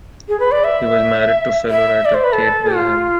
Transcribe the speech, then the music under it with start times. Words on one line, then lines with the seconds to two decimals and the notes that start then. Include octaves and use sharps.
He was married to fellow writer Kate Wilhelm.
0.28 G#4
0.40 B4
0.52 D5
0.64 E5
1.70 E5
2.05 D5
2.14 C5
2.24 B4
2.33 A4
2.76 F4